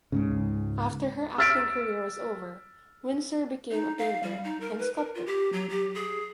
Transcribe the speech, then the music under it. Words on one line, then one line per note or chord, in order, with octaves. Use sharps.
After her acting career was over, Windsor became a painter and sculptor.
C#2 G#2 C#3
E6 F6 A6 B6 D7
D#4
F5
G3
D#4
A#4
B4
A#4
F4
G4
F#3
G4
G#4